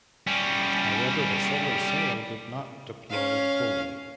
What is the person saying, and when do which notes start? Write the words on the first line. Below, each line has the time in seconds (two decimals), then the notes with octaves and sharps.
However the solar sail did not deploy fully.
0.27 G3 C#4
3.10 C#4 F5